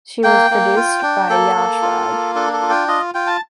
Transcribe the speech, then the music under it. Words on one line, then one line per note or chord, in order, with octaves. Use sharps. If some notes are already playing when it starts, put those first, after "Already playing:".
She was produced by Yash Raj.
A#3 G5
A#3
F4
D4
A#3 A4
A#3
F4
A#3
D4 A4
A4
F4
G5
F4 D#5
F4 G5
A5